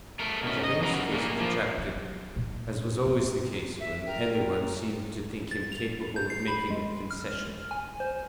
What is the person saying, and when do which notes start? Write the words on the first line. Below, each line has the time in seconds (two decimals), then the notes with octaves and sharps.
Javert's face contracted as was always the case when any one seemed to think him capable of making a concession.
0.19 A3 A#4
0.43 B2 C#4
0.63 D#5
0.81 F#2 E3 F#3 F#4 A#4 A#5
1.11 A#2 A3 A#3
1.40 F3 A#3
1.78 F#3
2.36 A#2
3.06 G#2
3.80 E5
4.06 A#4 G5
5.51 A6
5.72 F7
6.16 G6
6.30 C7
6.48 B5
6.70 G#3
7.11 F6
7.71 G#5
8.00 C5